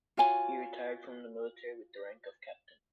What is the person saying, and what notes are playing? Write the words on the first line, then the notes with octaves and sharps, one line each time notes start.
He retired from the military with the rank of captain.
F4 F#4 C#5 G#5